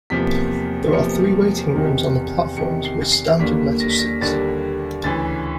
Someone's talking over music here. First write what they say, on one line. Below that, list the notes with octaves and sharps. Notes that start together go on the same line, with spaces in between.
There are three waiting rooms on the platforms with standard metal seats.
E2 C3 F3 A#3 B6
E2 C3 F3 A#3 C#7
E2 C3 D#3
E2 C3 D#3 C#7
C7
C7
D#2 D3 G3 A#3 B6
A#6
B6
A#6
D#2 D3 G3 A#3 A6
D2 C#3 E3 A6